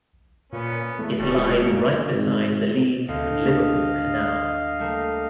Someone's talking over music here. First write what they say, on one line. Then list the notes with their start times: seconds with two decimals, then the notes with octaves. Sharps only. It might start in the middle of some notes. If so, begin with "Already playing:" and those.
It lies right beside the Leeds and Liverpool Canal.
0.53 A#2 B3 C#4
0.99 E2 A3
1.20 D1 G3 A3 C#4 A6
1.35 A#2 G#3 F#4
1.66 D#1 F#2 G#3 A#3 F#4
2.12 G#1
3.08 D2 D#5 F5
4.79 G3 A3 A#3